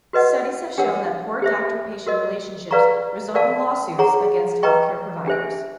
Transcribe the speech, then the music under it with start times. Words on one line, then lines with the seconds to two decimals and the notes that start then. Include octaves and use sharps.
Studies have shown that poor doctor-patient relationships result in lawsuits against healthcare providers.
0.13 F#4 B4 D#5 F#5
0.78 D4 G4 A#4 C#5 F#5
1.42 G4 C5 E5
2.07 F#4 A#4 D#5
2.71 B4 D5 F5 A#5 C#6
3.35 A#4 D5 F5 A5
3.99 G#4 C#5 F#5 A#5 C#6
4.63 B4 D#5 G5 A#5 C#6
5.27 D4 G4 C5 E5 G#5